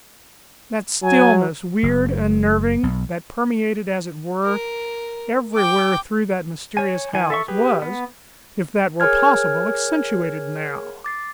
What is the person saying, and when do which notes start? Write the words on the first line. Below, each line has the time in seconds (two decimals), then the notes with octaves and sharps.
That stillness, weird, unnerving, that permeated, as it were, everywhere through that mysterious house, was, if that were possible, accentuated now.
1.02 F#3 G#5
1.83 F#1
2.83 B1
4.44 A#4
5.54 G5 D6
6.77 C#5 G#5
7.13 E3 G#5
7.30 A4 E5 C#6
7.48 G4 G#4 B4
7.82 B3
9.00 G#4 A#4 C#5 G#5 F6 G#6
11.04 D6 A6 C7